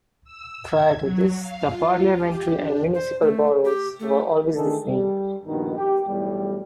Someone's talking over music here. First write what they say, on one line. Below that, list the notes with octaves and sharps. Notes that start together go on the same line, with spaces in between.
Prior to this, the Parliamentary and Municipal Boroughs were always the same.
E6
G#6
F#3
F5
F4
G4
D4
C5
A3
G4
A3
D#3 E3 A3 D4 G#4 A4
G3
A#1 G2 B2 D#3 D#4
G4
B1 E2 A2 G3